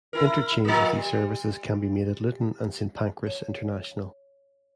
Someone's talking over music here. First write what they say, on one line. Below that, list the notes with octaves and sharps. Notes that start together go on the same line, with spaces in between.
Interchange with these services can be made at Luton and Saint Pancras International.
E4 A#4
F3 A#3
G3
C#5